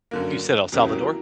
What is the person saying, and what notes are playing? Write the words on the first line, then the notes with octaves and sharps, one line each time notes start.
You said El Salvador?
F#2 D3 A#3
E2 C#3 F#3 A#3 E4 G4
F#4 A#4